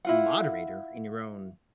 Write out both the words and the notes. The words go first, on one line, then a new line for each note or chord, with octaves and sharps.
a moderator in your own
E4 F4 F#5